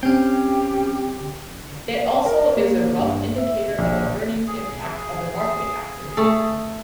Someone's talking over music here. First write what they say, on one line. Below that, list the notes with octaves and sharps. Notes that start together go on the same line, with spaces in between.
It also is a rough indicator of the earnings impact of a marketing activity.
C4 C#4 G4 G5
A#4
A#3
G2
E5
A#1
G#4
A3 A4